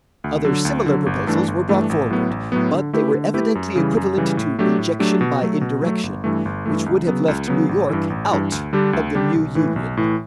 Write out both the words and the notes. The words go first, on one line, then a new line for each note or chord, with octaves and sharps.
Other similar proposals were brought forward, but they were evidently equivalent to rejection by indirection, which would have left New York out of the new Union.
D2
D3 F#3
D2
D3 F#3
G1
G2 E3 A3 D4
G1
G2 E3 A3 D4
A1
A2 F#3 B3
A1
A2 F#3 B3
D3
A3 E4 G4 B4
D3
A3 E4 G4 B4
F#2
C#3 E3 G3
F#2
C#3 E3 G3
A2
F#3 A3 D4 G4
A2
F#3 A3 D4 G4
B2
F#3 A3
B2
F#3 A3
G1
G2 E3 A3
G1
G2 E3 A3
C#2
C#3 F#3 B3
C#2
C#3 F#3 B3
A1
G2 E3
A1
G2 E3
D2
D3 G3 D4 G4
D2
D3 G3 D4 G4
B1
A2 E3
B1
A2 E3